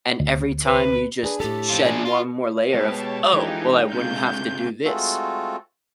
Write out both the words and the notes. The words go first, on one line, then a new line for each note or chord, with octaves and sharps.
and every time you just shed one more layer of, "Oh! Well I wouldn't have to do this."
D2
B4
D4 G#4 B4
A2 G4 A4
C4 F4
D4 F4 G#4
F4 F#4
B2 G#3 G4 B4 C#5 A5
E3 G#3 D4 D#4 F4 G4 A4
C#2 C3 F4 G6
G#3 A3 C4 F4 F#4 A4